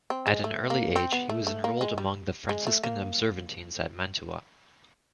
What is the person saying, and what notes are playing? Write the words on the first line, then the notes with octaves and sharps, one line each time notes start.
At an early age he was enrolled among the Franciscan Observantines at Mantua.
C4
G#3
A3
A#3
C4
B3
A3
A3
A#3
G#3
G3
G#3
A3
A#3